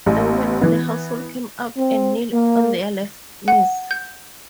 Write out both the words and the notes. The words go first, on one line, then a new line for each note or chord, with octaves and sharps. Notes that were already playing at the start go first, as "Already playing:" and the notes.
The women of the household come out and kneel on their left knees.
A1
E3 B3
C4
A#3
F#5
G6